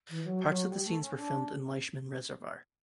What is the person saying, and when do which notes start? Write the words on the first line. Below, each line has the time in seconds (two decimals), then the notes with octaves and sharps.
Parts of the scenes were filmed in Lishimen Reservoir.
0.09 E3
0.24 F#3
0.47 F#3
0.69 G3
0.84 A3
0.99 C#4
1.16 D4